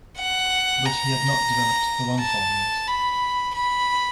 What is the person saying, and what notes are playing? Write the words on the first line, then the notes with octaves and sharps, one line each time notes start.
But he had not developed the long form yet.
F#5
A#5
A5
B5
B5